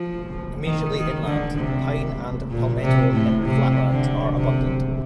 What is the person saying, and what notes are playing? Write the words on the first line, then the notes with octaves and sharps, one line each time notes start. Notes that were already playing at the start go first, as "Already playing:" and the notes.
Immediately inland, pine and palmetto flatlands are abundant.
Already playing: F3
D#3
D#3
D3
C3
A#2
C3
A2
C3
D3
C3